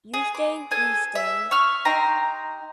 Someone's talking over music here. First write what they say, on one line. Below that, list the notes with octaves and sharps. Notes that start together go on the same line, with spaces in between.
You stay, we stay.
G#4
D6
G#4 A4 G#5
E5
C#6 E6 F6
D#4 G4 A#5 C6